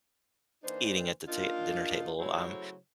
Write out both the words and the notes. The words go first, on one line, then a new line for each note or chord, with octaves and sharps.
eating at the ta dinner table. Um,
E3 A#3 D4 D#4 C5
A#3 D4 D#4 F4
C#3 F#3 A3 E4 C5 C#5